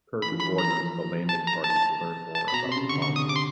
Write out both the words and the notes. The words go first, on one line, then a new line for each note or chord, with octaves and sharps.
Kirk orders the landing party to learn more about the colony.
E3 B5
F3
E3 B5
A#5
A5
A#5
A5
A5
B5
B2 A#5
C3
C6
C#3
D3 C#6
D3 C#6
C3 D#6
C#3 D6
C6